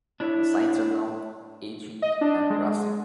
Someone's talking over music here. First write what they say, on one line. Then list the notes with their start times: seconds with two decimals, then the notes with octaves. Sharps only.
The signs are now aging and rusting.
0.20 D4 E4 C#5 D5 E5
2.02 D#5
2.21 D4
2.50 G#3